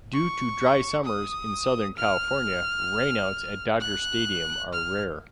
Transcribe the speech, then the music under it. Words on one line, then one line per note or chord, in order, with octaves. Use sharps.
Due to dry summers in Southern California, rainouts at Dodger Stadium are rare.
C#6
D#6
F6
F#6
F6